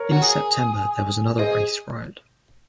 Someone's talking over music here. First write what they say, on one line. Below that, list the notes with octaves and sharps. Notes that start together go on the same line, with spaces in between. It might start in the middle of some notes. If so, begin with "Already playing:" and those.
In September there was another race riot.
Already playing: A#4 C#5
F#4
G#4
G#4 C5 D#5